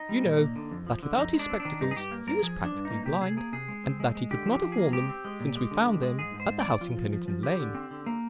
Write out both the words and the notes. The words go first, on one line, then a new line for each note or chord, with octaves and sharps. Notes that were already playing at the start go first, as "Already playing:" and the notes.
You know that without his spectacles he was practically blind, and that he could not have worn them since we found them at the house in Kennington Lane.
Already playing: D#4
G3
A#2
A#3
D3
F2
F3
D3
F2 D#4
G#3
D4
C4
D4
D#3
G2 D#4
G#4
G2 G4
A#3
G2 A#4
F3 G#4
F3
D4
G2
D#4
A#3
C3 G4
C3 G#4
A#3 G#4
C3 G#4
G#3
C4
G#3
G#3
D3 G4
F3
G4
F3
G#4
A#3
G#3 G4
C4
G#3
A#2
G#3
D3
G#3
G#3
G#2 G#4
G#2
C5
G#2
D5
C4
F3 F4
F3
F3
F3
D3 G4
D3
C4
D3
A#3